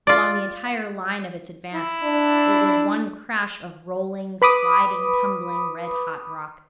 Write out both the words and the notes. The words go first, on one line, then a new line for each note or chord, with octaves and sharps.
Along the entire line of its advance it was one crash of rolling, sliding, tumbling red-hot rock.
F4 D5
E4
D4
B4 B5 D6 D#6